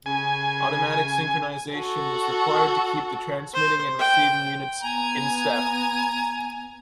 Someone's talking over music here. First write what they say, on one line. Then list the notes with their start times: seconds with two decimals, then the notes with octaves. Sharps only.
Automatic synchronization was required to keep the transmitting and receiving units "in step".
0.06 C#3 G#5
1.76 F#4 A4
3.54 C5
3.99 G5
4.83 B3 G#5 A#5